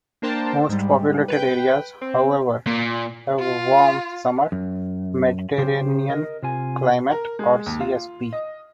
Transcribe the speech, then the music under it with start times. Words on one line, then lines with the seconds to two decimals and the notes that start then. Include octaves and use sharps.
Most populated areas, however, have a warm-summer Mediterranean climate, or "Csb".
0.22 A#3 D4 A#4 C5 G5 A5
0.69 G#2 G3
1.28 B4 G5
2.01 C4
2.67 A#2
3.39 F4
4.52 F#2
5.58 C#3 G4 C5
6.09 A#4 D#5
6.42 C3 F4 G#5
7.11 A#4
7.39 G#3
7.66 D#2
7.80 F4
8.33 D#5